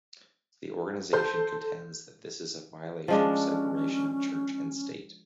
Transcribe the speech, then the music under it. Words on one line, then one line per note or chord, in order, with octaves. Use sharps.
The organization contends that this is a violation of separation of church and state.
A4 C5 C6 G6
F3 G#3 C#4 D4